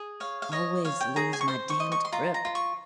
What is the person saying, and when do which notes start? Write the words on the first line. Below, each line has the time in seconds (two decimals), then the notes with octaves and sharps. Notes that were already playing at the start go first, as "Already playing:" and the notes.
Always lose my damned grip.
Already playing: G#4
0.20 C#5 F5
0.42 F5
0.52 C#5 D#5
0.85 C#5 F5
1.01 G5
1.16 G#4 A#5
1.33 G#5
1.41 C#6
1.48 C5 C6
1.70 C#6
1.80 D#5
1.92 C#6
2.05 C6
2.12 F4 A#5
2.34 A#5
2.45 F4
2.55 C#6